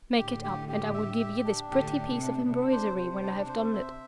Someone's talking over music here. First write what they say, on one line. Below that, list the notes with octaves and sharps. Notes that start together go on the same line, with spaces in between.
Make it up; and I will give you this pretty piece of embroidery when I have done it.
A2 D3 G4
G4
G4
E5
G4
D4
A2 D3 G4
D4
C3
D4
C3 D4
C5
C3
C5
D4
C5
E5